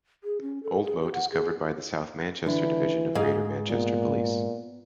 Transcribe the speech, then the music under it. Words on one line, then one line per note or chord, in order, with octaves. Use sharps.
Old Moat is covered by the South Manchester Division of Greater Manchester Police.
G#4
C#4
A4
G#4
G4
F#5
G#4
D3 E3 D4 E4
G#2 G#4 F5
A#2 B3